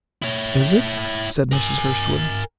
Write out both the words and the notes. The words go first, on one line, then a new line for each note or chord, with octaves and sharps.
"Is it?" said Mrs. Hurstwood.
E4 C#5
A#4 G#5